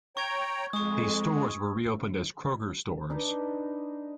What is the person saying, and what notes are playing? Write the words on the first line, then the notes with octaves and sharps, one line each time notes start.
These stores were reopened as Kroger stores.
C#5 G5 A#5 C#6 G#6
F2 G#3 C#6 D#6
D4 D#4 B4 D#5